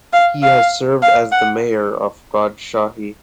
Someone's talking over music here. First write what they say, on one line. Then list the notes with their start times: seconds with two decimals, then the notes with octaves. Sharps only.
He has served as the Mayor of Rajshahi.
0.13 F5
0.43 F5
1.02 F5
1.32 F#5